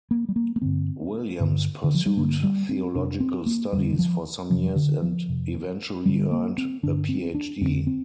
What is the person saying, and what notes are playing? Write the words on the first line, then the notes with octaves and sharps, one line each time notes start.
Williams pursued theological studies for some years and eventually earned a PhD.
A#3
G3
A#3
A#3
G2 D3 C4
G2 D3
D3
F3
G3
G2 D3 A#3
G3
C4
F2 C3 D4
C4
A#3
F2 D3 G3
D3
F3
F2 C3 F3
D3
F3
F2 C3
G2 D3 G3
A#3
C4
G2 D3 D4
C4
D4
F2 D3 C4
C4